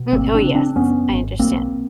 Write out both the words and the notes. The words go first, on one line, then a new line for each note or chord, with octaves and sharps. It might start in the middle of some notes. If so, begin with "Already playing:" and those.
Mm Oh, yes. I understand.
Already playing: B2
G#1 A#3 C4
C4 D4
C#3
C4 D4
F#2 B3 C#4
G#1
B1 A#3 C4